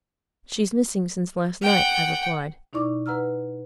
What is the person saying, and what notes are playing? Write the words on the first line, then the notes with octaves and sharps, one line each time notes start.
"She's missing since last night," I replied.
F#5 G5
B2 D#4 E4 D5 C#6 D6
B4 F#5 A#5 E6 F6